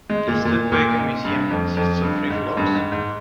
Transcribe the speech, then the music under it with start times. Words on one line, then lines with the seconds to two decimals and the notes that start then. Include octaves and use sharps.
The Studebaker museum consists of three floors.
0.10 G#3
0.27 A#2
0.45 A#2
0.72 A#2
0.99 G#2
1.25 G2
1.50 F2
1.77 F2
2.03 G2
2.30 G#2
2.57 G2
2.75 G#2
2.92 G#2